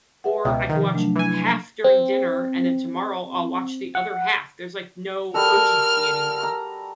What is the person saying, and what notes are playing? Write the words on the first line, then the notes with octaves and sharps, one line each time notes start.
or I could watch half during dinner, and then tomorrow I'll watch the other half, there's, like, no urgency anymore.
B4 E5 F#5
C#2 B2 E5 G5 A#5
C3 D#3 F3
F#3 A3 D4
E3 G#5
C4
F#5
G3 F#4 A4 A#4 F6
A#5